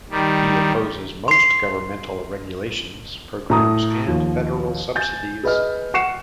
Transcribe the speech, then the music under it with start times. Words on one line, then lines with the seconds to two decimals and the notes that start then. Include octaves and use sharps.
He opposes most governmental regulations, programs, and federal subsidies.
0.10 D#3 G3
1.28 C6 C7
3.50 A2 A#5 D#6
4.08 D#2 F3
4.95 G#5 G6 A6
5.43 G#4 B4 D#5 F6
5.94 F#5 C#6 C7 C#7 E7